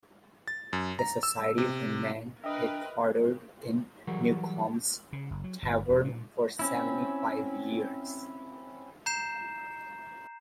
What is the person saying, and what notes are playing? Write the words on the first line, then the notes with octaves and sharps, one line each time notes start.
The society remained headquartered in Newcom's Tavern for seventy-five years.
A6
F#2
A#5
E6
C3
D4 A#4 B4 D#5 E5 G5
E3 F#3 G3 F#4 G#4 A#4
C#3
F#1
F#3
G1
E1
A#2
C4 C#4 E4
A#5 G6 C7 E7